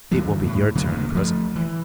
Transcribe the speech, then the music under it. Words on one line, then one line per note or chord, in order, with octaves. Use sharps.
"It will be your turn presently!"
D2 G2 E3 F#3
A2
C#3 F#3 G#3 A3
G1 A#2 D#3
F3 A3
E3